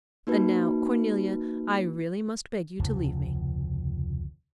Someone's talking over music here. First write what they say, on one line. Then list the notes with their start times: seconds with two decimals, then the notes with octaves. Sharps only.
"And now, Cornelia, I really must beg you to leave me."
0.27 A#3 D#4 F#4 B4
2.80 F1 D2 C#3 F3